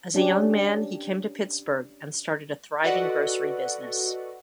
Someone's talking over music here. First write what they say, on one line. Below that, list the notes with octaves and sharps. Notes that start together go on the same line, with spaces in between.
As a young man he came to Pittsburgh and started a thriving grocery business.
C#4 D4 G4
F#4 A4 B4 D5 D#5 F#5